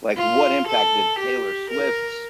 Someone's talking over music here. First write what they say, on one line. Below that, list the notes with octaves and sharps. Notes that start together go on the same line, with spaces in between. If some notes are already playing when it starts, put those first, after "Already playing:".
Like, what impact did Taylor Swift's,
F4
A4
G4
A#4